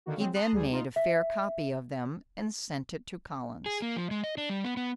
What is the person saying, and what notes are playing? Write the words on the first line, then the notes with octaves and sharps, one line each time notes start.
He then made a fair copy of them, and sent it to Collins.
D3 D#3 A#3 F#4
F#3 G#3 C4
A5 A#5 C6 D#6 F#6
D2 G3 G#4
D#4 F4
E5
G#4
A#3
F3
G#3
D#5
D4
G3
B3
B3